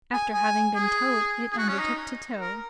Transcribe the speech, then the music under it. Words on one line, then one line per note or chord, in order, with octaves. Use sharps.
After having been towed, it undertook to tow.
G#5
G#5
G#4
G#4
F#4
C#4
D#4
A#4